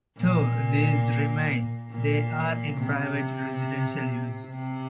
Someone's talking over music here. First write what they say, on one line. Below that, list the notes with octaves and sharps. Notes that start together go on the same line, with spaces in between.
Though these remain, they are in private residential use.
A#2
A#2
C3
C3